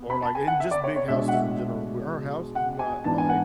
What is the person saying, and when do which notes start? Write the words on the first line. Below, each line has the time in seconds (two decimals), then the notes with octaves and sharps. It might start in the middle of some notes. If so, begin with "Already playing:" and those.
or like in just big houses in general, our house is not like
Already playing: B3
0.10 B5
0.23 A5
0.35 G#5
0.47 F#5
0.60 E5
0.71 D5
0.84 C#5
0.96 C#5
1.08 B2 G#3 D4 E5
1.28 F#5
1.33 E5
2.55 F#5
2.79 G#5
3.04 G#2 E3 B3 D4 A5
3.18 G#5
3.29 F#5